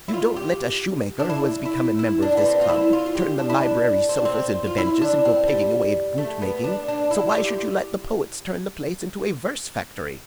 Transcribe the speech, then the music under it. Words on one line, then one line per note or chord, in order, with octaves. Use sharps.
You don't let a shoemaker who has become a member of this club turn the library sofas into benches and go pegging away at boot-making, so why should you let the poets turn the place into a verse factory?
E4
F4
G4
D4
E4
E4
E4
D4
B3
C4
F4
E4
F4
F4
G4
D4
E4
D4
C4
D4
C4
F4
E4
D4
C4
G3
A3
B3
D4
D4
E4
F4
G4